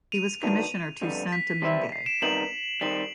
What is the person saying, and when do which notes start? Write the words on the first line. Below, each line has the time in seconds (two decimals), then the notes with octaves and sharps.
He was commissioner to Saint-Domingue.
0.12 D#7 F7
0.43 D#3 F#3 B3 D4
1.02 F2 D3 G3 B3
1.32 B6
1.47 B6
1.62 C3 E3 G3 C4 E4
1.92 C7
2.06 D7 E7
2.22 C3 D#3 G3 B3 D#4 E7 F#7
2.81 D#3 G3 C4 E7 F#7